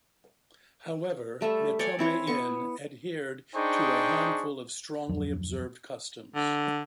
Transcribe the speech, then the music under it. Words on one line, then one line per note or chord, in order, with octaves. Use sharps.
However, "mitome-in" adhere to a handful of strongly observed customs.
G3 A3 A4 E5
C#5 D5 G5 G#5
C4 E4 C#5
B3 C#6
D4 D#4 G#4 C5 G5 C#6
D1 F2 F#3 D4
D3